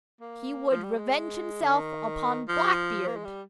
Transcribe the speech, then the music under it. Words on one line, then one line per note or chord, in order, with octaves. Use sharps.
He would revenge himself upon Blackbeard!
A#3
F3
G3
G#3
D3
D#3
F3
A#3
G#3
G3